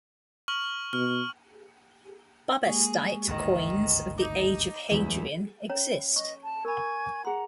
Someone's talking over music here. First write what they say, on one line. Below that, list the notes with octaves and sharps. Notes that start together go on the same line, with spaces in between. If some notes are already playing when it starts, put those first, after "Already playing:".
Bubastite coins of the age of Hadrian exist.
C#6 F6 F#7
B2 F6
G#3 A#3 G#4 C#6
G#1 D2 G2 D#3
D#4 D6 G6
D1 E2 G#2 E4
C#4 C#5 A#5
D#5 C#6
A5
A#4 G#5 B5 C#6 G#6
G#4 F#5 A#5 C6